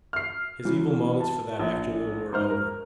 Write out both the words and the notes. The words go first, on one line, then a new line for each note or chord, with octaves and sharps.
His evil moments for that afternoon were over.
F6 C7
E3 F#3
A5
A#1
G#2 C5 F6
A#4